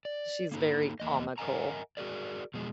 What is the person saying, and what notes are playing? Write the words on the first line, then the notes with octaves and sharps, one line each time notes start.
She's very comical,
D5
A#3 D#4 A4
E2 A#3 D#5
A#4 D#5 E5 F#5 G#5 A#5
F#4 G#4 A#4 D5
B2 F3 G#3